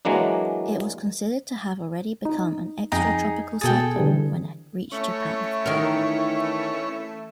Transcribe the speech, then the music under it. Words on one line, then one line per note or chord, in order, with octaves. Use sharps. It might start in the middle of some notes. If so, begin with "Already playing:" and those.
It was considered to have already become an extratropical cyclone when it reached Japan.
E3 F#3 G#3 A#3 D4
D#4
F2 D#4 G#4 G5 A#5
B2 G#4 A4 G5 A6
D3 E3 G3
A3 C#4 E4
D#3 E3 A#4